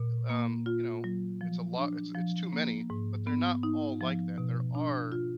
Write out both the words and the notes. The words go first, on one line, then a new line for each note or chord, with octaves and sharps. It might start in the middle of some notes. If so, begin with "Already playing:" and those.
y um, you know, it's a lot it's it's too many, but they're not all like that. There are
Already playing: A#2
A#3
F4
F#3
F3
D4
F3
A#3
G#2
B3
D#4
F3
B2
D4
F4